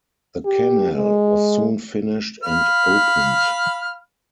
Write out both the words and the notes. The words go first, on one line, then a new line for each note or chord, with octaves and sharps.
The Canal was soon finished and opened.
G4
G#3
F5 B5 F6